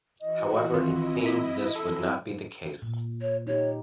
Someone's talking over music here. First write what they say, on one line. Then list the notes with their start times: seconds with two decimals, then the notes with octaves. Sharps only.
However it seemed this would not be the case.
0.21 E3 F#4 D#5
0.72 G#1 C4 E4 F4 D#5
1.26 B6
1.76 C4 A4
2.82 A#2
3.21 C#5
3.47 D#4 G4 C#5